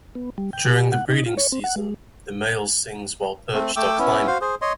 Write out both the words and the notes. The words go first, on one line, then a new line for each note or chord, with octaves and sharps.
During the breeding season, the male sings while perched or climbing.
B3
G3
G5
G4
F#5
D#4
F4
C#5
C4
F#5
G#3
A3 C4
A3 G5 D6 E6
B3 C#4 E4
F#4 C5 F5
G#4 C5
C#5 D#5 C6